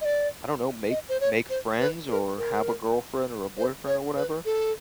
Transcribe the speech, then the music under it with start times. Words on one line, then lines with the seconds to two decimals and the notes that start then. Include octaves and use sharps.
I don't know, make make friends or have a girlfriend or a boyfriend or whatever,
0.01 D#5
0.05 D5
0.90 D#5
1.09 C5
1.20 C#5
1.50 C5
1.79 B4
2.09 A#4
2.38 A#4
3.57 C5
3.86 C#5
4.16 B4
4.45 A4